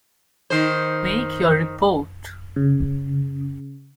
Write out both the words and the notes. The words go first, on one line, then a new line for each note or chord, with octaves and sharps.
Make your report.
D#3 C5
C#3